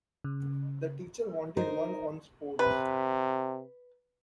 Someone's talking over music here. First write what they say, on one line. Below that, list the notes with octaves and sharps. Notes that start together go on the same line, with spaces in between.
The teachers wanted one on sports.
C#3
D#4 A#4 C5
C3 B4